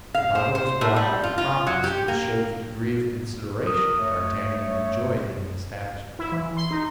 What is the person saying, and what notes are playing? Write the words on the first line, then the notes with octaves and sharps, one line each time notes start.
The bottle was brought with a promptness which showed the degree of consideration D'Artagnan enjoyed in the establishment.
F5
C5
C5
A2
G3
F4
F4
F#3
G4
A#3
A#4 D#6
A3 C#5
E4
E3
C6
D#4